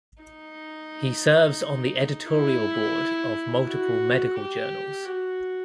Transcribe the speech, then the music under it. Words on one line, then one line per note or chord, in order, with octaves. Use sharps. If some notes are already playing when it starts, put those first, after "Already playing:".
He serves on the editorial board of multiple medical journals.
D#4
E4
F#4
G4
F#4